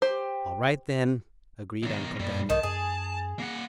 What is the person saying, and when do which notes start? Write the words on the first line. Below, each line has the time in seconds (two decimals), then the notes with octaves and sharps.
"All right, then," agreed Uncle Daniel.
0.02 G4 C5
1.83 B1 D#3
2.19 F#2 A#2 G3
2.50 B1 D#3 A5
2.63 F#2 G#4
3.39 A#3 F#5